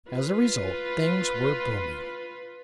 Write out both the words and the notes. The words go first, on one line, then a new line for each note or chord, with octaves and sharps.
As a result things were booming.
F4 B4